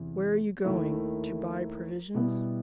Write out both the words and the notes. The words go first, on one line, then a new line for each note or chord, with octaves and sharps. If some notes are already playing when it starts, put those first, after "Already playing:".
"Where are you going--to buy provisions?"
Already playing: E2 C3 E3
D#2 D#3 A3 E4
B2 G3 B3 E4